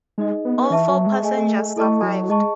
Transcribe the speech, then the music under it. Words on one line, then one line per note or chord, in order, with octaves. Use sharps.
All four passengers survived.
G#3 D#4 G#4 D#5
B3
B3
E3 B4 E5 A5 C#6
F#3
G#3
A3 G#4 D#5 G#5
A3 E4 A4 D#5 A5 C#6
F#3
G#3 G#4 D#5 A5 C#6